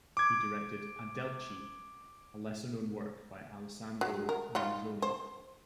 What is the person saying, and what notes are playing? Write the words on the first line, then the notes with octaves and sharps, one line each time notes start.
He directed "Adelchi", a lesser-known work by Alessandro Manzoni.
D6 G#6
F#3
A#4
G3 D#4 F4
C5